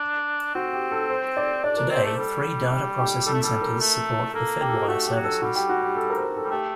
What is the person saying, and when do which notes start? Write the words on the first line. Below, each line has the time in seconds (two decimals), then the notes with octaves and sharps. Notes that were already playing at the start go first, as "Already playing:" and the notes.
Today, three data processing centers support the Fedwire services.
Already playing: D4
0.55 C4 F#4
0.73 G4
0.91 A4
1.10 C5
1.37 D5
1.64 D4 D5
1.77 D4 A#4
1.90 C4 C5
2.04 A3 C5
2.17 G3 A4
2.72 G4
2.98 G4
3.25 G3 A4
3.33 A3
3.42 G3 A4
3.62 A#4
3.80 A3
4.34 A#3 A4
4.61 G4
4.68 A4
4.76 G4
4.88 A3 F#4
5.06 G4
5.15 F#3
5.24 A4
5.42 G3 F#4
5.56 G4
5.69 F#4
5.83 G4
5.96 A4
6.10 A#4
6.17 C5
6.23 A#4
6.37 A4
6.44 G3
6.50 A3 G4